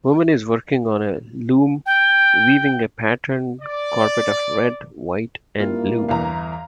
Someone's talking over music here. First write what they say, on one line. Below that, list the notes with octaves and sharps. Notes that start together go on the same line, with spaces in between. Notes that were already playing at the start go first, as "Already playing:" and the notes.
Woman is working on a loom weaving a patterned carpet of red, white, and blue.
G5
D5
G2 A#3 E4 F4
G1 E2 E3 F5 A#5